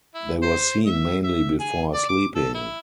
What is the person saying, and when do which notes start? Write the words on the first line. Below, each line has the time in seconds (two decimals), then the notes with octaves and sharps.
They were seen mainly before sleeping.
0.15 E4
0.42 C5
0.86 E5
1.24 E5
1.60 G#4
1.94 D5
2.09 D6
2.36 A4
2.54 E4